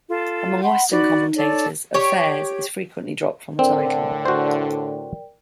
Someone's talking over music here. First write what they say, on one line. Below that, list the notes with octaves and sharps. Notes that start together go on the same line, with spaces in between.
Among Western commentators, "Affairs" is frequently dropped from the title.
F4 A4
F#5 B5 C6
D#4 F#4 D5 B5
A4 C#5 D5
G4 C#5
A2 D3 C4 A#4 D5 G5
F#4 C5